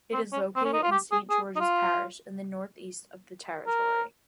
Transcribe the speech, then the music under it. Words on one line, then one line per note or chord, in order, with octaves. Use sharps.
It is located in Saint George's Parish, in the northeast of the territory.
C4
C#4
C4
C#4
D#4
F4
G4
G#4
G#4
D#4
F4
A#4